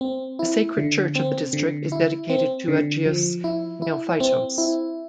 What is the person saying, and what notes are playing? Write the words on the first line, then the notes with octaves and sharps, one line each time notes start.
The sacred church of the district is dedicated to Agios Neophytos.
C4
E4
D3
C4
D3
E4
C4
D3
F3
E4
E4
C4
E4